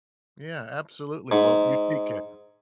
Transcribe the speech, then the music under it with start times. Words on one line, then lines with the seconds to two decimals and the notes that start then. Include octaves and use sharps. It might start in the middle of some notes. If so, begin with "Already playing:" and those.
Yeah, absolutely, well, you take care.
1.31 G#2